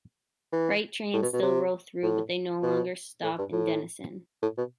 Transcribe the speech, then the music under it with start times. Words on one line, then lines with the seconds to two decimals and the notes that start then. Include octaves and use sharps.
Freight trains still roll through, but they no longer stop in Dennison.
0.53 E3
1.14 A2
1.23 B2
1.33 B2
1.42 C3
2.03 A2
2.63 B2
3.23 A2
3.38 G2
3.52 A2
4.42 A2
4.58 B2